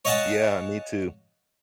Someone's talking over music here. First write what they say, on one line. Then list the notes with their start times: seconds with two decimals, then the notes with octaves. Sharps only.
Yeah, me too.
0.05 C#5 D#5 F5 F#5 G#5 A5